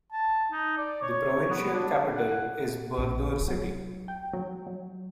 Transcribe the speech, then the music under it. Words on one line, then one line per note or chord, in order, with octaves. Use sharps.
The provincial capital is Burdur city.
A5
D#4
D5
C#5
B3
D4
F#5
A#1
F#3
G5
F#3
F#3